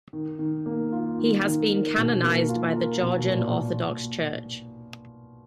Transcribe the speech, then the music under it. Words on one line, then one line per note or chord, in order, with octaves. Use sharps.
He has been canonized by the Georgian Orthodox Church.
D#3
D#3
A#3
F4
D#3
D#3
A#4
B2
A#3
F4
A#4
B2
A#2
A#2